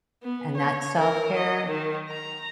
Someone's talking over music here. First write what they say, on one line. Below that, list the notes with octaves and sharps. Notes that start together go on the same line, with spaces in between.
and that's self-care,
B3
C#5
A#4
D#5
D#3
A#5